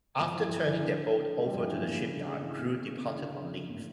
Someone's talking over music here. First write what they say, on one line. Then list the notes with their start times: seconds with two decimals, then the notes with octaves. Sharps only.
After turning their boat over to the shipyard, crew departed on leave.
0.21 F3
0.34 E3
0.48 F3
0.68 E3
0.79 D3
1.39 A3
1.46 G3
1.54 F3
1.61 E3
1.68 D3
1.78 A2
1.87 A#2
1.97 C#3
2.12 D3
2.28 C#3
2.41 E3
2.57 A#2
2.86 C#3
3.06 E3
3.16 D3
3.31 C#3
3.45 C#3
3.68 A#2
3.75 A2